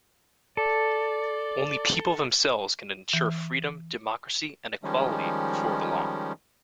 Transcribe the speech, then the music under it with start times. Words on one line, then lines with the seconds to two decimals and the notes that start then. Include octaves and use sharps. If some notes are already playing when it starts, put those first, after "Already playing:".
Only people themselves can ensure freedom, democracy and equality before the law.
0.57 A4 D5
3.13 E3
4.83 D#3 F3 G3 G#3 C#4